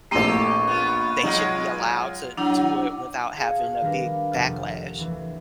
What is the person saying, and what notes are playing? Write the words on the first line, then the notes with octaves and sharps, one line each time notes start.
they should be allowed to do it without having a big backlash.
A#1 A3 C4 E4 G4 A4 A#5
C#6
B3 F4
F#3 G#3 D#4 F4
F#3 D4 E4 F#5
G#4 D#5 F5 A5 G#6 C#7
F#4 F5
D#3 G3 D4 A#4 B4
F1 G4 A4 F#5 F6 A6
D2 E3